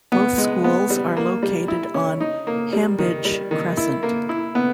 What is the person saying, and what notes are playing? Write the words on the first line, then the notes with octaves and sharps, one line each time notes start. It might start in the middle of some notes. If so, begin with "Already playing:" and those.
Both schools are located on Hambidge Crescent.
B3
G#3
B3
G3
A#3
G3
E4
C#4
D#4
A#3
G3
D#3
G3
D#3
E4
A#3
E4
B3